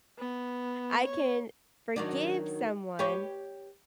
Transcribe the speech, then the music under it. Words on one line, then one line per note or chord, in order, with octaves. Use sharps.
I can forgive someone
B3
C#5
D#3 F#3 D4
G4 B4 C#5